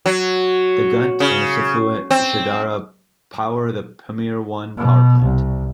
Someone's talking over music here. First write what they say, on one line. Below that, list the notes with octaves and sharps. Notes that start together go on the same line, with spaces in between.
The Gunt, and its affluent Shahdara, power the Pamir I power plant.
F#3
C#3
C4
B2
C2